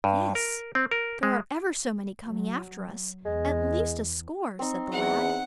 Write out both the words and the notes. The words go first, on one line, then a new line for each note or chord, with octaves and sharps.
"Yes; there are ever so many coming after us, at least a score," said the lad.
G2
A#4
C4
A#4
G#3
F#3
E2 G#3
C4 D#4
E2 F#5